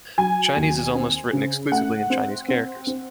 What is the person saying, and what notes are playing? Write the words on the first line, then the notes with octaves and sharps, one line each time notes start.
Chinese is written almost exclusively in Chinese characters.
F#3 G#5
D#2
C4
C#3
A3 F#5
C4
C4
C4